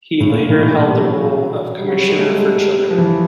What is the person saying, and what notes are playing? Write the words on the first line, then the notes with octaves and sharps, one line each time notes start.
He later held the role of Commissioner for Children.
A2
A#2
B2
E3
G3
F#3
G3
F#3
G3
G#3
A3
G3
G#3
G3
F3
E3